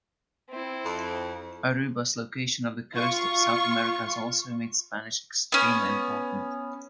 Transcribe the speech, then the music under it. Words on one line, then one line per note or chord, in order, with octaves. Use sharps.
Aruba's location off the coast of South America has also made Spanish extremely important.
C4 E4
F2
F4 C#6
B3 C#4